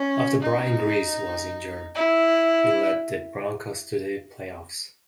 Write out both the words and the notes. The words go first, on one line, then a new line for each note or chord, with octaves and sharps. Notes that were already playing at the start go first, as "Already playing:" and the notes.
After Brian Griese was injured, he led the Broncos to the playoffs.
Already playing: C#4
D#4
E4